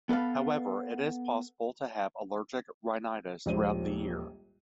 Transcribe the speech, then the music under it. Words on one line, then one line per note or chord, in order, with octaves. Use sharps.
However, it is possible to have allergic rhinitis throughout the year.
B3 A4 B4 F5
D#1 A#1 G#2 C5 D#7